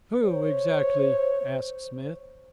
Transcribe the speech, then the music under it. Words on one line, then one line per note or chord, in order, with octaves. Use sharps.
"Who, exactly?" asked Smith.
C5 C#5